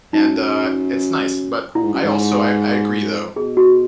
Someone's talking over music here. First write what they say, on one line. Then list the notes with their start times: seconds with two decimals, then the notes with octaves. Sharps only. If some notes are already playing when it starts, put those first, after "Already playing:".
And, uh, it's nice. But I also I I agree, though.
0.13 F#2 D#4
1.75 A#2 E4
1.84 G#2
1.94 F#2
2.03 G#2
3.36 B2 G#4
3.57 F#4